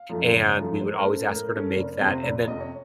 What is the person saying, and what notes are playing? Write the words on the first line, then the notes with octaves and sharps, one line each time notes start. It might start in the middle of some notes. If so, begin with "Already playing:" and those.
and we would always ask her to make that, and then
Already playing: F5
F#2 F3 A3
F#1 C#5
F#2 F3 A3
A2 C5
A#4
A3 C#4 C5
A2 A#4
A3 C#4
F1 A#4
F2 C3 C5
F1 C#5
F2 C3 D#5
C#5